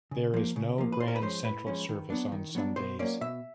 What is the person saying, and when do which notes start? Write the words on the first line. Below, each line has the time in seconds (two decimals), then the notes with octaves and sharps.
There is no Grand Central service on Sundays.
0.11 C#3
0.34 F3 A#3
0.56 C#3
0.78 F3 A#3
0.92 B4
1.00 A2 C5
1.08 A#4
1.16 B4
1.22 F3 G#3 C#4 C5
1.44 A2 B4
1.67 F3 G#3 C#4
1.89 D#3
2.10 F#3 B3 D4
2.32 D#3
2.55 F#3 B3 D4
2.76 B2 C5
2.99 F#3 A#3 C#4 D5
3.21 B2 E5